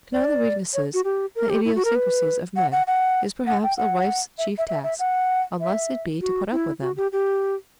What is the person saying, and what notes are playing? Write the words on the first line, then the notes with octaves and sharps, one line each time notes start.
To know the weaknesses and idiosyncrasies of men is perhaps a wife's chief task; unless it be to put up with them.
D5
C#5
F#4
G4
A#4
G4
E4
F#4
A#4
B4
F#5
F#5
F#5
F#5
G5
F#5
E5
E5
E5
E5
F#5
E5
F#4
E4
F#4
G4
G4